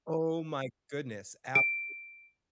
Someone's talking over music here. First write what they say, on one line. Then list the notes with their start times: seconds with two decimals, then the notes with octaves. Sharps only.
Oh my goodness. Absolutely.
1.55 D7